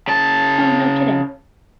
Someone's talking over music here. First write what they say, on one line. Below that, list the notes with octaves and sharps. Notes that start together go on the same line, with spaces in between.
Oh, no kidding.
C#3 A5